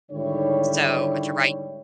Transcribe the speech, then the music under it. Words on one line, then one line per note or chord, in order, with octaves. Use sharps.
so, to write
G#2 D3 D#3 G3 E4 C#5